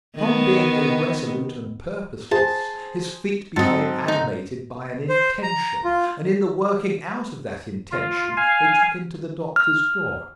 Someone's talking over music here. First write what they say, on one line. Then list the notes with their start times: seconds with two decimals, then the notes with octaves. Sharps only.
From being irresolute and purposeless, his feet became animated by an intention, and, in the working out of that intention, they took him to the Doctor's door.
0.16 D#3 B3
2.31 G#4 C5 A5
3.56 G#2 F#3 C4 A4 D#5
4.08 D#4
5.09 C5
5.43 A#5
5.84 F4
7.92 F4
8.37 F5 G#5
9.56 F6